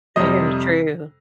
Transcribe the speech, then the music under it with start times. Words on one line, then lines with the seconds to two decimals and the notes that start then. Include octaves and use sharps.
Very true.
0.16 F2 C3 G3 D#5